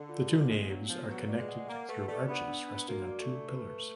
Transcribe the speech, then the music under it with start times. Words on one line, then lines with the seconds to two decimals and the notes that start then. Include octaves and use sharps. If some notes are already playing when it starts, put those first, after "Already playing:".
The two naves are connected through arches rested on two pillars.
Already playing: D3
0.09 F4
0.29 D4
0.49 G#3 B3
0.69 F#3 D4
0.88 F3 B3
1.09 F#3 B4
1.29 D5
1.38 G#3
1.48 F#5
1.68 A#3 F#5
1.89 A3 B4
2.08 A3 D5
2.28 B3 D4
2.48 D4
2.68 D4
2.88 A#3 F#4
3.08 D5
3.18 A3
3.28 D4
3.48 B4
3.68 B4